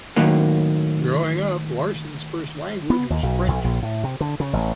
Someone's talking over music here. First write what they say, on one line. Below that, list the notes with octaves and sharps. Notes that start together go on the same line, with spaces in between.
Growing up, Larson's first language was French.
A2 D#3 F#3 A#3
B3
D#2
B1
B1
A#1
A2
C3
D3
C#3
A1